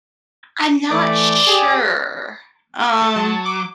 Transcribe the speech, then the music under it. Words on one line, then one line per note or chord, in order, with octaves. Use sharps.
I'm not sure, um.
E3 A3 D5
G4 G#4
A4
F#3 A5
D6